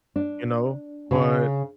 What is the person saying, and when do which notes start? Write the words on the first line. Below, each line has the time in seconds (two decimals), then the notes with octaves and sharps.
you know? But,
0.16 D4
1.11 C#3